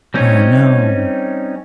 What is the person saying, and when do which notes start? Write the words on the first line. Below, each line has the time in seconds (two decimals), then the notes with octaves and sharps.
Oh no.
0.14 G3 C4 C#4 D#4 C#5